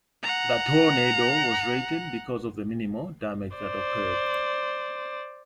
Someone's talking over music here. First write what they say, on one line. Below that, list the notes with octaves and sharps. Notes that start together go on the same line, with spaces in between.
The tornado was rated because of the minimal damage that occurred.
F#5 A#5
C5 D5